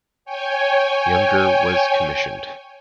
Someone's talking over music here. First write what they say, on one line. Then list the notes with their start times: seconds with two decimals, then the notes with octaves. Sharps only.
Younger was commissioned.
0.25 C#5 G5 G#5